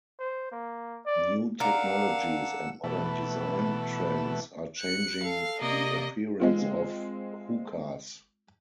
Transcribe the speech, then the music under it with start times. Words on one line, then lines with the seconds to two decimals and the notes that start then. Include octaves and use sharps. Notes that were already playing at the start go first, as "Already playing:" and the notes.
New technologies and modern design trends are changing the appearance of hookahs.
0.19 C5
0.52 A#3
1.06 D5
1.60 D4 A#4 F5 F#5 E6
2.84 B2 E3 A3
4.79 F#6 C#7
5.23 A4 F5
5.62 C3 A#3 D5 D#5
6.40 G#3 C4 F4